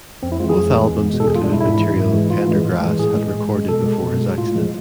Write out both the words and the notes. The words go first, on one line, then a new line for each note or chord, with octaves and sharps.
Both albums included material Pendergrass had recorded before his accident.
F2 C4
E4
G#3 F4
E3 G#4
F2
E3 G#3
E2
B2 G#3
A4
E2 G#4
F4
B2 G#3 D4 E4
G#2 E4
E3 G#3
G#2
E3 G#3
A2 F4
E3 G#3
A2
E3 G#3
A2 G#4
G#3
A2
G#3
B2 A4
G#3
B2
G#3
A2 F4
F3 G#3